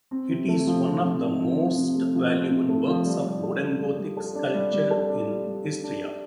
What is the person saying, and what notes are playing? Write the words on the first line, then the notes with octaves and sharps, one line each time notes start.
It is one of the most valuable works of wooden Gothic sculpture in Istria.
C4
C3
A3
F3
C4
C3
A3
F3
C4
C3
A3
F3
C4
C3
A3
F3
G3
G3
A4
D4
G3
G3
A4
D4
G3
G3
A4
D4
G3
G3
A4
D4
G4